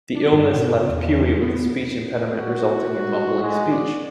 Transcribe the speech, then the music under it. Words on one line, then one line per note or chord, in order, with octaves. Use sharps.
The illness left Puey with a speech impediment resulting in mumbling speech.
D4
G2
B2
C#3
E2
B3
F#4
G#3
D5